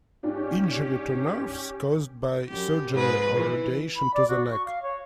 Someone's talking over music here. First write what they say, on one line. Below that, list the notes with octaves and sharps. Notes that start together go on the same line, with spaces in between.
Injury to nerves caused by surgery or radiation to the neck.
G#2 C#4 D4 F4 G4
F#2 G4
G#2 B4
E3
B5
D5
F#4
C#6
F5
C#5